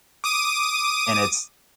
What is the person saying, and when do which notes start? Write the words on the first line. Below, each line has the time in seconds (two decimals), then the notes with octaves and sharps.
And it's
0.24 D6 D#6 D#7